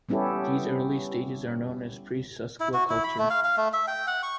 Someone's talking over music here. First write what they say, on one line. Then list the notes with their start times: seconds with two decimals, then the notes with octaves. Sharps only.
These early stages are known as pre-Sesklo culture.
0.09 G3 B3 C#4 E4 G4 A4
2.60 E4
2.74 F#4
2.90 E4
3.04 B5
3.19 A3
3.30 F5
3.44 F5
3.57 A3
3.73 E5
3.88 G5
4.07 F#5
4.23 C#6